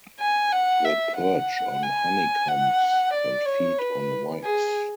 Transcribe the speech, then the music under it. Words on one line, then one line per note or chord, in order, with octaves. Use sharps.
They perch on honeycombs and feed on wax.
G#5
F#5
E5
F#5
G#5
F#5
D5
C#5
B4
G#4